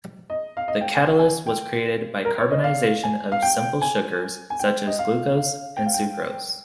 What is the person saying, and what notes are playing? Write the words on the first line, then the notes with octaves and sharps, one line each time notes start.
The catalyst was created by carbonization of simple sugars such as glucose and sucrose.
D#5
F5
D#5
G5
G#5
G5
G#5
G5
A#4
C#5
D#5
F5
G#5
F5
G5
G#5
G#5
G5
D#5
F5
F5
G5
F5
G5